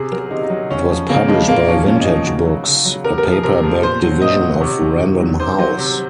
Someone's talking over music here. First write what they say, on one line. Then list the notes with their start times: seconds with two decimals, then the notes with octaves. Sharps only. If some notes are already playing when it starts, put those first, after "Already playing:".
It was published by Vintage Books, a paperback division of Random House.
Already playing: C3 G#4
0.11 F#3 A#4
0.31 C3 D#4
0.43 D#4
0.50 F#3
0.70 C#3 C#4
0.89 F3
1.09 C#3 A#3
1.28 F3 G#3
1.48 A#2 A#3
1.68 F3 C#4
1.87 A#2 C#4
2.00 D#4
2.07 F3
2.14 D#4
2.26 C#3 F#4
2.46 F#3
2.66 C#3
2.85 F#3
3.04 C3 A#4
3.18 A#4
3.25 F3
3.31 G#4
3.43 C3 A#4
3.63 F3
3.82 A#2 C5
4.03 F#3
4.22 A#2 D#5
4.41 F#3
4.61 C3 C#5
4.80 D#3 F#3
5.01 C3
5.20 D#3 F#3
5.39 C3 C5
5.58 F#3 C5
5.78 C3